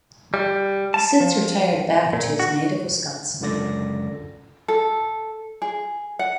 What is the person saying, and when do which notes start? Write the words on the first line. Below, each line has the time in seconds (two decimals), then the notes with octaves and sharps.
He since retired back to his native Wisconsin.
0.34 G3
0.94 A5
1.20 F3
2.13 A#2
2.39 F#4
3.41 C#2 F#2 D3 D5 A#6
4.68 A4
5.62 G#4
6.19 F#5